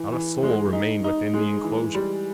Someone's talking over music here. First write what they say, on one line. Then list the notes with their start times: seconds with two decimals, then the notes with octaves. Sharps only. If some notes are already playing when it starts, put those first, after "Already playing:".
Not a soul remained within the enclosure.
Already playing: E3
0.12 E3
0.43 G#3
0.73 D#4
1.04 D#4
1.34 G#3
1.64 E3
1.95 G3